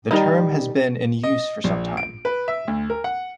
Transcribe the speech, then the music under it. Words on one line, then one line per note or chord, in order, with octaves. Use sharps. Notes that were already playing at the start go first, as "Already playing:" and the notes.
The term has been in use for some time.
D#3 G3 D#4 A#5
D#5
A#1
D7
B4
E5
D2
A#4
F#5